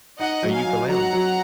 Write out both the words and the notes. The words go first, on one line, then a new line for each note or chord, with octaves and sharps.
a ukulele.
D#4 D#5 F#5
F#3
F5 G#5
F#3
F#3 F#5 A#5
F#3